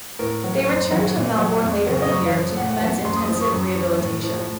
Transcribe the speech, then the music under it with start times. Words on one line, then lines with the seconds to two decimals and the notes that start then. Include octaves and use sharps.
They returned to Melbourne later in the year to commence intensive rehabilitation.
0.19 A2 A#4
0.44 F#3
0.67 F#2 C5
0.91 D#3 F#3
1.15 A#2
1.38 F#3
1.62 F2
1.86 C#3 F#3
2.02 D#5
2.09 F#2 C#5
2.26 F5
2.33 F3
2.57 A#2 F#5
2.70 F#5
2.81 F#3 A5
3.04 F#2 C6
3.16 D#6
3.28 F3 D#6
3.40 C#6
3.52 F#2
3.76 F3
3.99 A2
4.23 F3